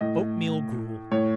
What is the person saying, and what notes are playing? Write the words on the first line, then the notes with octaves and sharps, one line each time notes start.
Oat-meal Gruel.
A2 D#5
A2 C#5